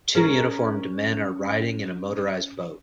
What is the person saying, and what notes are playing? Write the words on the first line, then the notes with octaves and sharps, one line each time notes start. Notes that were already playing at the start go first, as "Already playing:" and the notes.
Two uniformed men are riding in a motorized boat.
C#4 G#4 A#4